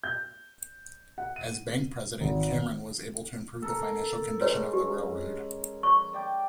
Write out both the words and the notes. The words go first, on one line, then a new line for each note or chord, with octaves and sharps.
As bank President, Cameron was able to improve the financial condition of the railroad.
G6
F#5
D#7
G#1
A4 A#4
G#3 C#4 B4 C#5
G4
C#6
D5 G5 D6